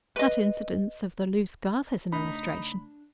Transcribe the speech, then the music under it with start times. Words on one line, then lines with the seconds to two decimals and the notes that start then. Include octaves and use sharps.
That incident of the loose girth is an illustration.
0.16 B4 D#5
2.12 C#3 A3 D4 D#4 B5